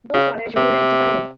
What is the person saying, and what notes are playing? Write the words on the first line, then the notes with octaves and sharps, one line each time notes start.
Both fathers reunite to find him.
C#3
C3